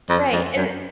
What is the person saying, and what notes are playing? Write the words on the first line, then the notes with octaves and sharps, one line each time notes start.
Right, and
F2
F2
F#2